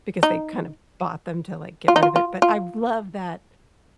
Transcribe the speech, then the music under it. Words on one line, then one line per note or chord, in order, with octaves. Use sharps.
because they kind of bought them to, like, get rid of it, but I love that
D#4
F4
D#4
F4
F4
F4